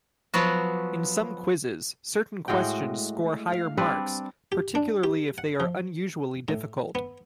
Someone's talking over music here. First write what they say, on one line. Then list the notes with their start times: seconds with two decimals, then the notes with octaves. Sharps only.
In some quizzes, certain questions score higher marks, particularly if they are unusually difficult.
0.34 F3 F#3 B3 F#4
2.48 A2 G#3 F#4 G5
3.52 F5
3.77 G3 C4 D4 B4
4.52 G4
4.75 D4
5.04 G4
5.38 F#5
5.60 F3
6.49 A2
6.95 B3